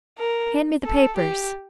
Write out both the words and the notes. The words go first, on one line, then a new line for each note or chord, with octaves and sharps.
Hand me the papers.'
A#4
A4
G4